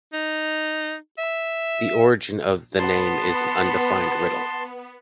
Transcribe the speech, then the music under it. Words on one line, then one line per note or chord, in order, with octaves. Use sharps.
The origin of the name is an undefined riddle.
D#4
E5
B3 A5 C6